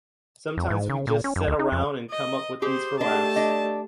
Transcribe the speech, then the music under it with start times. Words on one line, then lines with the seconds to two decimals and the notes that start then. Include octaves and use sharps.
Sometimes we just sit around and come up with these for laughs.
0.57 F2
0.70 G#2
0.89 C#3
1.07 A#2
1.24 C#4
1.36 F#2
1.48 D2
1.59 D#4
1.72 F2
2.11 D#5
2.62 G4 G#4 C5
3.01 A3 D4 G4 G#4 D#5 A5
3.36 D4 D#5